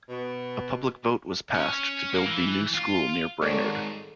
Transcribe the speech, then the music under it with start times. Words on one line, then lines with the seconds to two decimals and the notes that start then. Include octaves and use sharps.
A public vote was passed to build the new school near Brainerd.
0.09 B2
1.54 C#4
2.14 A#3
2.25 E3
2.75 F4
3.42 G#2 D#3 G#4 A4 C#5 D5